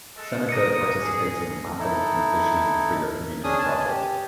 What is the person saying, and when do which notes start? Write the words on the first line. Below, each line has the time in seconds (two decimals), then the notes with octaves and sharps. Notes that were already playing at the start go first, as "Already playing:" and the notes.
Seneca participates in the Mapping and Visioning for your Community project.
0.17 G#3 A4
0.49 A#3 D#6 A#6 C#7
1.02 G#4
1.79 D#4 E4 A4
3.44 C#4 D4 G#4 G#5 D#6
3.59 G#5 A5
3.87 G4